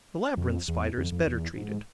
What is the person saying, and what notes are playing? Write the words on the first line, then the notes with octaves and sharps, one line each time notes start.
The Labyrinth Spider is better treated.
F2
E2
F2
F2
E2
G#2